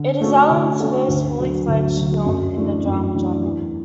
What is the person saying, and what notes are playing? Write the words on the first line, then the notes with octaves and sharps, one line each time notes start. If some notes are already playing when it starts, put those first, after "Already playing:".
It is Allen's first fully-fledged film in the drama genre.
Already playing: D3
A3 C#4 F#4 A4
D3
A3 C#4 F#4 A4
D2
D3 F#3
D2
D3 F#3
F#2
E3 A3 D4
F#2
E3 A3 D4
E2